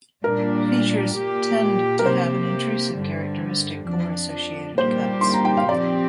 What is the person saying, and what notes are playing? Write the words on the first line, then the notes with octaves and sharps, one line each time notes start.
Features "tend" to have an intrusive characteristic or associated cuts.
A#2 G3 D4 A#4
A#2 A#3 G4
A#4
C3 A#3 G4 C5
G2 D3 G3
F2 F3 D4
A#2 G3 A#3 G4 C5
C6
A#5
G5
F5
F3 C4 G4 D5